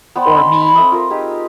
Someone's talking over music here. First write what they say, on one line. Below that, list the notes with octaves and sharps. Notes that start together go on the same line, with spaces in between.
for me,
B3 C5 D5 G5
D#4 G#5 B5 C6
B5
C4 A4 E5 D#6
F4 A#4
D#4 G4 G#4